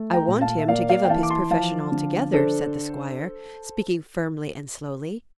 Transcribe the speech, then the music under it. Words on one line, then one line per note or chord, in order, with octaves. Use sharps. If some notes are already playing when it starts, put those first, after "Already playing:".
"I want him to give up his profession altogether," said the squire, speaking firmly and slowly.
Already playing: A3
G5 A#5
A#2
F5 A5
E5
A#3 D5 F5
D5 F5
G5
E3 F5 A5
D6
A5 C6
F3 F5 A5
D3
D4 A4 C5